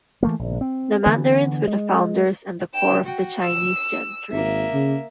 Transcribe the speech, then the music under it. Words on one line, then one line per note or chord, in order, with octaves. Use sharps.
The mandarins were the founders and core of the Chinese gentry.
E3 A3 A#3
A#1
C4
D3 E3 B3
G#3
G5 E7
F#4 G5
E6
G#1 A#3 E5
C#3